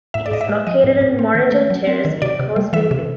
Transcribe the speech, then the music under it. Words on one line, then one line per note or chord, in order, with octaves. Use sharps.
It is located on Moreton Terrace in Causeway Bay.
A2 E5
D5
A2 D#5
E5
G#3
F3 D#5
A2
A2
C4
D#3
A3
F#3
C4
D#3
C3 D5
C3
G3
E3 E5
C3